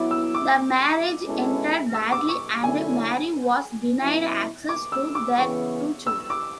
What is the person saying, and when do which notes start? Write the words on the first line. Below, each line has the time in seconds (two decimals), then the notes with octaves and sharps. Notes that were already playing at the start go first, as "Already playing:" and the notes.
The marriage ended badly and Mary was denied access to their two children.
Already playing: F#3 B3 E4 D6
0.11 E6
0.35 D6
1.26 B2 G#3 C#4 E4 A4
1.94 E6
2.12 D6
2.29 C#6
2.63 F#2 D3 A3 C#4 E4 G#5
4.01 B2 F#3 C#4 E4
4.69 D6
4.92 E6
5.15 D6
5.38 C#3 E3 B3 C#6
6.07 E6
6.30 D6